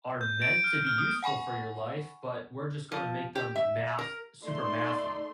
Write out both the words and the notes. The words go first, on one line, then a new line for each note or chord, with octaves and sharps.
are meant to be useful for your life, but we're just gonna make them math super mathy,"
G6
D7
F6
F6
D#6
F#5 G#5 B5 C#6
F3
G4
E5
A#4
A3 D#4 D5 C6